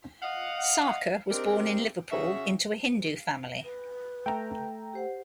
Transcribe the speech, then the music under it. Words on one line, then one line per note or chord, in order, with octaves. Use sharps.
Sarker was born in Liverpool into a Hindu family.
D#5 F5 F#5
C4 D4 D#4 G4 G#4 A#4
C#3 C#4 F#4 G#4 E5
B4
A3 G5 A#5
G4 C5 F#5